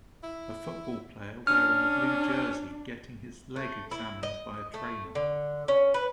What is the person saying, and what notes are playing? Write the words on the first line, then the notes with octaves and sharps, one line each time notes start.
A football player wearing a blue jersey getting his leg examined by a trainer.
E4
C#4 D4 F6
A3
E4
D#5
A3
D3
C#4
B4